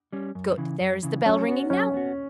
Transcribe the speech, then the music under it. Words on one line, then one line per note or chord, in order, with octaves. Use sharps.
Good! there is the bell ringing now.
G3 C#4
F#2
C#3 E3
F#2
C#3 E3
F#3 C#4
B3 F#4
F#3 C#4
B3 F#4